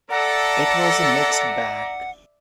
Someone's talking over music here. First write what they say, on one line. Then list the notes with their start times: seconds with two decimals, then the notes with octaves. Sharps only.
It was a mixed bag.
0.10 A4 D5 E5 F#5 A#5